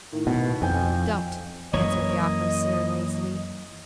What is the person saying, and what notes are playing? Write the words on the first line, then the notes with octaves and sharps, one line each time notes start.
"Don't," answered the officer lazily.
A2 D#3
B2
F2 G5 G#5 G6
F#2 E3 A#3 C#5 D#5